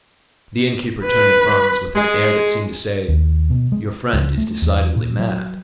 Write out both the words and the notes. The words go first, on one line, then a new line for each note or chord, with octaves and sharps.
The inn-keeper turned to Franz with an air that seemed to say, "Your friend is decidedly mad."
B4
G#3
D#2
B2
G#3
C#2
A3
E2
A#2
F#3